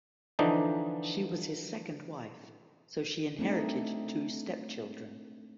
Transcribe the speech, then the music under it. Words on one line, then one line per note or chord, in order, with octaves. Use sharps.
She was his second wife so she inherited two step children.
D3 E3 F3 D4 D#4
A3 C4 D4 D#4